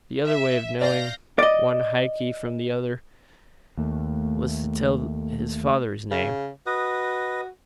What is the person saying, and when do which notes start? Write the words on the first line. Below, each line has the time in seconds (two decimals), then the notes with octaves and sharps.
The other way of knowing one Haki from the other was to tell his father's name.
0.25 E5
0.81 D5 F5 G6 A#6
1.39 D5 D#5
3.77 D#2 A3
6.11 C#3
6.67 F#4 B4 D#5 D#6